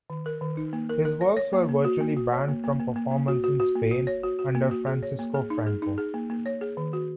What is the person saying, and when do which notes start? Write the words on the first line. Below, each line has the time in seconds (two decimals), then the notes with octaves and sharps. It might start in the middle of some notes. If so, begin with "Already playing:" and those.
His works were virtually banned from performance in Spain under Francisco Franco.
0.10 D#3
0.26 A#4
0.41 D#3
0.57 D#4
0.73 A#3
0.89 A#4
1.05 A#4
1.21 C#5
1.37 C#5
1.53 A#3
1.69 A#3
1.85 F#4
2.00 A#3
2.16 F#4
2.32 C#5
2.48 A#3
2.64 A#3
2.80 A#3
2.96 A#3
3.11 A#3
3.28 F#4
3.44 F#4
3.60 F#4
3.76 A#3
3.91 F#4
4.07 C#5
4.23 F#4
4.39 F#4
4.55 A#3
4.71 F#4
4.87 G#4
5.03 C#5
5.19 A#3
5.34 G#4
5.50 D#4
5.67 G#4
5.82 D#4
5.98 G#4
6.14 A#3
6.30 A#3
6.46 C#5
6.61 G#4
6.77 D#3
6.93 F#4